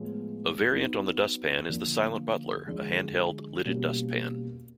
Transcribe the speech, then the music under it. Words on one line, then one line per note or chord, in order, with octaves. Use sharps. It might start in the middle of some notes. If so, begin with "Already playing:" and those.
A variant on the dustpan is the silent butler, a handheld, lidded dustpan.
Already playing: A2 F3 G#3 B3
F#3 B3 D#4
D3 F3 A#3
D3 F3 G#3
B2 G3 A#3 C#4